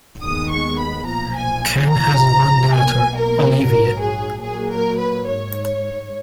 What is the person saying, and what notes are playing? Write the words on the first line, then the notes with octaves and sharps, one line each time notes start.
Ken has one daughter, Olivia.
D#2 D#3 G#3 B3 D#6
C#6
B5
B1 A#2 F3 A#5
G#5
A#1 G#2 F3 A#5
B1 B2 A#3 G#5
A#4
A#1 G#2 F#3 A#4
G#4
A#2 F#3 A#3 G#4
A#4
B4
G#2 C#5